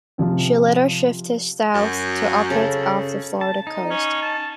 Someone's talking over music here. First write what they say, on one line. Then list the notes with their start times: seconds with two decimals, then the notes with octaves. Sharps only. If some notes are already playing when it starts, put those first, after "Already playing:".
She later shifted south to operate off the Florida coast.
0.18 C3 F3 C4
1.75 F#2
2.50 C#3 A4
3.41 A5
3.67 D#4
3.90 C#4
4.22 A5